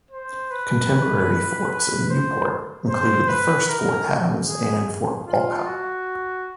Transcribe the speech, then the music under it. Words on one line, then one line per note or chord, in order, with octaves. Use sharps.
Contemporary forts in Newport included the first Fort Adams and Fort Wolcott.
C5
B4
B4
C5
C5
B4
A#4
G#4
F4
F#4